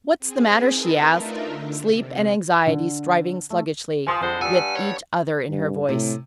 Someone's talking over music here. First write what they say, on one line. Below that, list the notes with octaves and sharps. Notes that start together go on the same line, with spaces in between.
"What's the matter?" she asked, sleep and anxiety striving sluggishly with each other in her voice.
C4 G#4
D#4 E4 A#4 B4 A5
A3 D4 D#4 F4 A#4 E5
D3
C3
D3
A3
F3 G#5 C6 D#6
F2 D3 G#3 C5
G2 G3 F#5 G#5 E6
C#5
G2
A2 C3